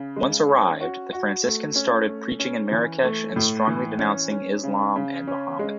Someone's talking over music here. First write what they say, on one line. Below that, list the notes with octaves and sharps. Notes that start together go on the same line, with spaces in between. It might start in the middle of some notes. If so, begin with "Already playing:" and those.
Once arrived, the Franciscans started preaching in Marrakesh and strongly denouncing Islam and Muhammad.
Already playing: C#3
G#3
C#4
F#4
F#4
A3
C#4
A3
C#4
E3
A3
A2
E3
C#4
C#4
C#3
C#3
C#4
G#3